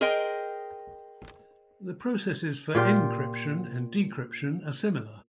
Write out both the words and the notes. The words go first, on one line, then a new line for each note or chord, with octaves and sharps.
The processes for encryption and decryption are similar.
G#4 A#4 C5 D#5 G5
A#2 F4 G4